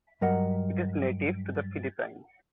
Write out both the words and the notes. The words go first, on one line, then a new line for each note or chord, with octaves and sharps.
It is native to The Philippines.
G2 F#3 A#4 D#5 F#5